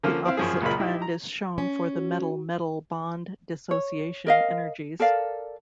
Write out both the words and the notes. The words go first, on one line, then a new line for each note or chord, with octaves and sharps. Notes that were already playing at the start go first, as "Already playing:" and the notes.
The opposite trend is shown for the metal-metal bond-dissociation energies.
D3 F3 A#3 C#4 F4 F6
C4 E4 F5
F#2 F3 G#4
C#2 A#2 F#3 G#3 A#3 B5
D#4 E4 G4
A#5
C#4
F#4
C#5
A#4 D#5 F5
A4 A#4 D5 F5